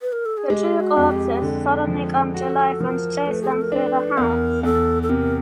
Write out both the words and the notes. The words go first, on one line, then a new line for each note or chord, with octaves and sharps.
The two corpses suddenly come to life and chase them through the house.
B4
A#4
A4
G#4
G#3 G4
F#4
F2
G4
D3
F3
F#4 A4
F3 A#4
A3 B4
G#4
A4
A#4
D4 B4
E2 A#4
E2 A4
A4
C3 A#4